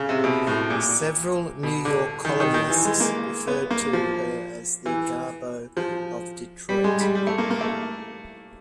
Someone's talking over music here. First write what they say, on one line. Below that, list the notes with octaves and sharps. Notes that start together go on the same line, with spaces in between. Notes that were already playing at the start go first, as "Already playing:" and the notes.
Several New York columnists referred to her as the "Garbo of Detroit".
Already playing: C#3
C3
B2
A2
A#2
B2
D3
D#3
D#3
D#3
E3
G#3
A#3
B3
A#3
F3
E3
F3
G3
G#3
G3
G3
A3
A#3
A#3
A3